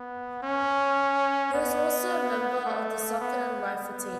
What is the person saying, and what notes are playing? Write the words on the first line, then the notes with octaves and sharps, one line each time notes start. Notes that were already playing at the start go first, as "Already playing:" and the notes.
He was also a member of the soccer and rifle teams.
Already playing: B3
C#4
B3
A3
B3
B3